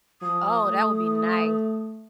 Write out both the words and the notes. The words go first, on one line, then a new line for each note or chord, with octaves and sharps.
Oh, that would be nice.
F3 D#6
A3